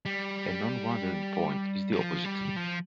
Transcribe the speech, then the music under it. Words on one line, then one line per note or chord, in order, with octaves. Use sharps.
A non-wandering point is the opposite.
G3
F3
G3
F3